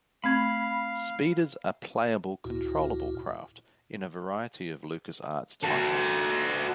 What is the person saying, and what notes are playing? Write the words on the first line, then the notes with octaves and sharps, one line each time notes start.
Speeders are playable-controllable craft in a variety of LucasArts titles.
A3 C4 F5 B5 G#6
D2 A#2 E4 F#4
F#4 A4